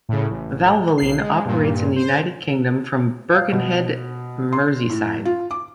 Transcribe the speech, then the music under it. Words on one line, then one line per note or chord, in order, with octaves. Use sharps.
Valvoline operates in the United Kingdom from Birkenhead, Merseyside.
A2 C#3
A1
B1 C7
G#3
G2 A#2
C5
F5
B2
C6
A2
F4
D6